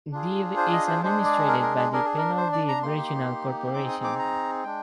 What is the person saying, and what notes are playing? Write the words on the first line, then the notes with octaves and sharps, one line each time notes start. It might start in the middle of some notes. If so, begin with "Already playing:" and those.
Debe is administered by the Penal-Debe Regional Corporation.
D4 F4 G#4
C5
D#5
C5
G#3 D4 G#4 C5
D5
A#4
A#4
G#4
D4 G#4 A#4
G#4
A#4
C5
D5
A#5
A#3 D#4 G4 C6
C4 D#4 G#4 D6
D#6
D6
A#5
G#3 D4 G5